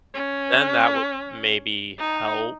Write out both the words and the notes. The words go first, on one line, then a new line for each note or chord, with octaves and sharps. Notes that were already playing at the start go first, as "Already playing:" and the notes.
then that would maybe help
C#4
D#4